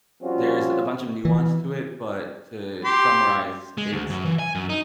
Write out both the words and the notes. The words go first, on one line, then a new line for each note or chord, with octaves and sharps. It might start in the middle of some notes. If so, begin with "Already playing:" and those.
there's a bunch of nuance to it, but to summarize, it's
F3 G3 C4 C#4 F4 F#4
E3
G4 C6
G#3
D2
F#2
E3
G#5
F#2
D#4